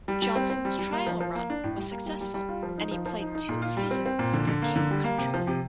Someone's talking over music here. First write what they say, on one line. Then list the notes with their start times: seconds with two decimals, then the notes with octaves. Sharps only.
Johnson's trial run was successful and he played two seasons for King Country.
0.08 G3
0.22 G3
0.35 C4
0.50 C4
0.65 G3
0.79 G3
0.92 A#3
1.07 F3
1.21 F3
1.35 A#3
1.50 D4
1.64 A2
1.78 G3
1.92 A#3
2.06 G3
2.21 G3
2.34 G3
2.49 F4
2.63 F3
2.78 D#4
2.91 F3
3.06 F3
3.20 D#4
3.35 D#4
3.49 A#2
3.62 F4
3.77 G3
3.91 C4
4.06 C4
4.19 A#2
4.33 D3
4.47 D3
4.62 A#3
4.76 D3
4.91 G3
5.04 A#3
5.18 C3
5.34 F3
5.47 C3